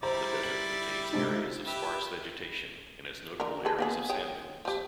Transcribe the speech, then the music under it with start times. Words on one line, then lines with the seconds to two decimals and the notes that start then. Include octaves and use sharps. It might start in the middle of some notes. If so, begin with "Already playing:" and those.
The desert contains areas of sparse vegetation and has notable areas of sand dunes.
0.03 G3 E4 C5 D5 A#5
0.43 F#7
1.13 G#2 C3 D#4
1.35 F4
1.67 G4 B4 E5
3.40 D3 A#4
3.65 G#4 A4 B4
3.79 A#3 B3 G#4
4.09 G#4 C#5 G5
4.65 F3 G4